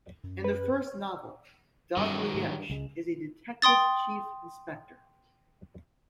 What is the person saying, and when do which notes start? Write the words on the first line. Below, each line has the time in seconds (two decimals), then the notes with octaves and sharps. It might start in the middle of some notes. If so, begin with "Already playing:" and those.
In the first novel, Dalgliesh is a Detective Chief Inspector.
0.24 F#2
0.44 B4
1.97 G2 D#3 F#3 G3 C#4
2.34 G#2 A3
2.49 G2
2.70 C#2 G#3
3.62 G5 C6 D#6 A6